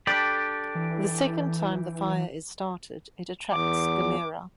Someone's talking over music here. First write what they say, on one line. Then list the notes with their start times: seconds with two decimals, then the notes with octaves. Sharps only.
The second time the fire is started, it attracts Gamera.
0.07 D4 G4 A4 D5 B5
0.75 E3
3.52 E2 D6